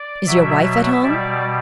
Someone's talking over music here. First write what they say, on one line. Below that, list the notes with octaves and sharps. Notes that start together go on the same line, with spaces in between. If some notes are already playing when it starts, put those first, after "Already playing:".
"Is your wife at home!"
Already playing: D5
B2 F#3 E5
B2 G3 D5